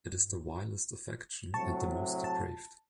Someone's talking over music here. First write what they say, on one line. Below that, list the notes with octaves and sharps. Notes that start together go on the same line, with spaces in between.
It is the vilest affection, and the most depraved.
A2 C3 F#3 A5 C#6
A5